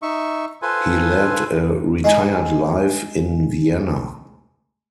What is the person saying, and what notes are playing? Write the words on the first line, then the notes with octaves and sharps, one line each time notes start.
He led a retired life in Vienna.
D#4 E5 C#6
F4 A4 B4 C5 G#5
G#3 D#4